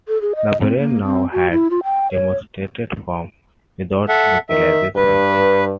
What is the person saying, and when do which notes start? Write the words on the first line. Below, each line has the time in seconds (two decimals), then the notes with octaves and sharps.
The brain now had demonstrated form, without localised function.
0.08 A4
0.21 G#4
0.36 D#5
0.61 C4
0.78 A#3
1.04 C4
1.33 F#4
1.51 E4
1.71 F4
1.84 G5
2.12 C#5
4.09 A4 E5 F#5
4.49 D#3 E5
4.96 G2 B4